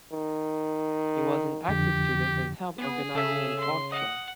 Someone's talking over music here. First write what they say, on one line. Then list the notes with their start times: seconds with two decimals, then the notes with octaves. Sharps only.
He was an active student and helped organizing an art club.
0.13 D#3
1.68 F2 D3 F3 G4
2.78 B3 G#4
3.15 C#3 A4 E5
3.59 C6
3.92 D#5 F#5